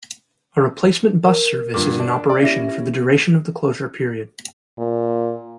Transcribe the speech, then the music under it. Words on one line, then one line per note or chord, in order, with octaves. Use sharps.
A replacement bus service is in operation for the duration of the closure period.
A#4
G2 A#2 D3 D6
D4
D5
C#4 E4 G4 A#6
A#2